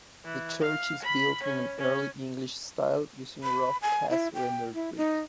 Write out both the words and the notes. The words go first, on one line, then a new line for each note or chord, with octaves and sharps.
The church is built in an Early English style using roughcast rendered brick.
E3
F5
B5
C#4
C#4
B5
G#5
E4
G5
E4
D#4